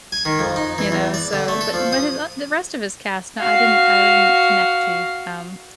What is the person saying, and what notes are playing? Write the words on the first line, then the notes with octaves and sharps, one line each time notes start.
you know, so. But but his o the rest of his cast, nah, I didn't I wouldn't connect to, um,
G#5
D#3
F2
D#4
E3
E2
D5
D3
A3
A4
F3
D#6
F#4 F5